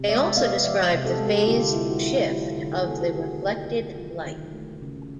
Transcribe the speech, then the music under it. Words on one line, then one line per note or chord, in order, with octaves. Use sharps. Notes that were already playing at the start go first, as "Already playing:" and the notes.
They also describe the phase shift of the reflected light.
Already playing: C3
G#3 D5 E5
B3 D#5 F5
F3 D5 E5
C3
G4 A4
G#3
G4 A4
D3 F4 G4
E4
B3
F4
E4 F#4
E4
F#3 F4 G4
D3
G#4
B3 A4
F#4 G#4
D#3 F4 G4
A3
D#3
F#3 F4
D#3
A3
C#3